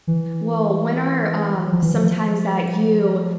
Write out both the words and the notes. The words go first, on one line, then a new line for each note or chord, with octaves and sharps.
Well, when are, um, some times that you,
E3
F3
E3
F3